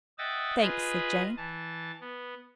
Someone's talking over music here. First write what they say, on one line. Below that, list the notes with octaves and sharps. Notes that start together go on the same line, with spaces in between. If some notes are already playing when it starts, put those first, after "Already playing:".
"Thanks," said Jane.
D#5 E5 F#5 G5 E6 A6
F4 G#4 B4 D#5 G#5 B5
E3 A5
B3